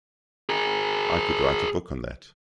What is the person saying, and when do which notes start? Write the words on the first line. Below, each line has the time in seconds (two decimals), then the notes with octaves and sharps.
I could write a book on that.
0.49 G#4 A#4